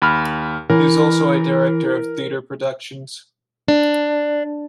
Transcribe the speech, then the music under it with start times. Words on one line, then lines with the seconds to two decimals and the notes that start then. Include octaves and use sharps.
He is also a director of theater productions.
0.02 D#2 B5 F6
0.70 E3 A#4
3.68 D4